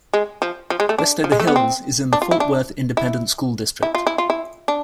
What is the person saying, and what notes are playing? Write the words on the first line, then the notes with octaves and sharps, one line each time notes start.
Westover Hills is in the Fort Worth Independent School District.
G#3
F3
F3
G#3
A3
D4
F3
G#3
A3
B3
C4
D4
F4
E4
D4
E4
E4
F4
E4
F4
E4
D4